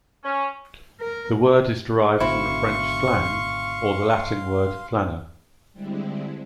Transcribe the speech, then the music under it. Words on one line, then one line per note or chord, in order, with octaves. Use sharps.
The word is derived from the French "flan"; or the Latin word "flana".
C#4
A#4
G#1 B2 D3 C4 E4 F5 C6 C#6
D3 G3 G#3 C4 E4